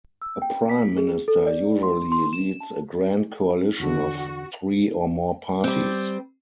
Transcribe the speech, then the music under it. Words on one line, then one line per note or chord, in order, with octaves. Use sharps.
A Prime Minister usually leads a grand coalition of three or more parties.
E6
G5
B6
G#4
A4
D5
C6
C6
E7
A5
E2 D3 F#4
G3 C4